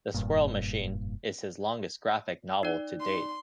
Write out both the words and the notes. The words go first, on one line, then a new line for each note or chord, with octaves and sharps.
"The Squirrel Machine" is his longest graphic novel to date.
F1 G2 A#2
D#4 D5
C6